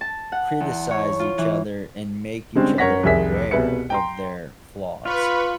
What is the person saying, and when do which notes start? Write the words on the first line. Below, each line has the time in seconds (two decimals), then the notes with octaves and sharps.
criticize each other and make each other aware of their flaws.
0.01 A5
0.32 F#5
0.60 E2
0.91 C#5
1.20 F4
1.38 E3
2.55 D3 G3 G#3 C4 C#4
2.78 F#2 A#4 C#5 F#5 A#6 B6
3.03 C2 F2 D#3 G#4 E5 B6
3.51 C2 B2 G#4 B4 E5 C#7
3.90 G5 A#5 C6
5.06 F4 B4 B5 C#6